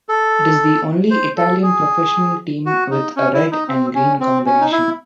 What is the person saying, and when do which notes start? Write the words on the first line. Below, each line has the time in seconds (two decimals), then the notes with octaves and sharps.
It is the only Italian professional team with a red and green combination.
0.09 A4
1.11 C5
1.37 A4
1.63 G#4
2.66 F#4
2.91 D#4
3.17 C#4
3.34 E4
3.52 D#4
3.68 C4
3.95 C#4
4.20 C4
4.46 C#4
4.61 D#4
4.72 E4